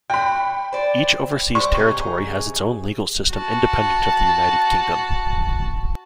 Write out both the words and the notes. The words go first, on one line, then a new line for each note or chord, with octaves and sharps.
Each overseas territory has its own legal system independent of the United Kingdom.
F#4 G5 B5
C5 D5
G3 C5 C#6
C3 D#4 G#4
F#4 A5